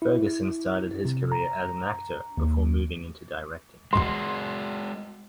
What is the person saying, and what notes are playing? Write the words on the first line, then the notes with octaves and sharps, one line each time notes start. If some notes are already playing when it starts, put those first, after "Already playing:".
Ferguson started his career as an actor, before moving into directing.
E4
C3
A#5
D#2
G#3 F#4 C6